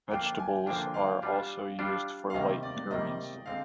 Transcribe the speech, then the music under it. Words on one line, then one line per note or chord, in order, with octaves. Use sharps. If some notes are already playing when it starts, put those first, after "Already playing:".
Vegetables are also used for light curries.
D3 F3 A#3 D4 F4 G5
G#5
D3 F3 A#3 D4 F4 G5
F5
G3 D4 F4
G3 D4 F4
F5
C3 D#3 G3 A#3 D#5
D5
C3 D#3 G3 A#3 D#5
D3 G#3 C4 D#4 F5